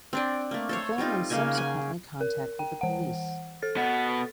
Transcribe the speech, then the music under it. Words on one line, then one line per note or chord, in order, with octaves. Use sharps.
The family subsequently contacted the police.
C4 D4 D5
A3 A#3
A4 C5 C#5
G3 C4 D#4 F4
C#3 A#3 D#4 G#5
F#5 G#5
A#4
G5
E3 F#5
A4 A6
B2 B3